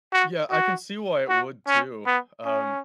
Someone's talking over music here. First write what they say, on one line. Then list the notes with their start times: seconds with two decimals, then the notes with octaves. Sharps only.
Yeah, I can see why it would too, um,
0.13 F#4
0.51 F#4
1.29 F#4
1.67 C#4
2.06 B3
2.45 C#4